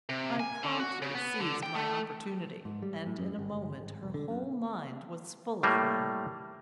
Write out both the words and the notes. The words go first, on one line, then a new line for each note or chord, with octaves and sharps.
I promptly seized my opportunity, and in a moment her whole mind was full of me.
C3
G#5
D3
F#4
C#3
B3
D3
G5
A3
G#2
G3
A2
F#2
G#1
G1
G#1
E1
D3
F#2
A2 G3 A3 A#3